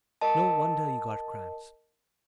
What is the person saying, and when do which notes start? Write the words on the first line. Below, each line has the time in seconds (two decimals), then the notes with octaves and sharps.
"No wonder you got cramps."
0.21 A#4 D#5 A5